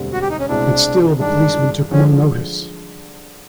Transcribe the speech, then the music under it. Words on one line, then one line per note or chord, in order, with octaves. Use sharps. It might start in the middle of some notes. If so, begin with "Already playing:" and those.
But still the policeman took no notice.
Already playing: E1 D2 D3 G3 C4
F#4
G4
D#4
C#4
C2 B2 G#3 C4 D4 E4
G2 D#3 G#3 D4
D3 F3 G#3 C#4